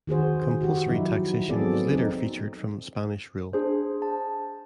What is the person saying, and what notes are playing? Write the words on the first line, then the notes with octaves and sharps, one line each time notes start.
Compulsory taxation was later featured from Spanish rule.
D#3 F#4 G#4 C5
F#4 G4
F3 F#3 D#4 E4
F#3 B3 C4 G#4 A4 D5
C4 D#4
D4 G#4 C5
A5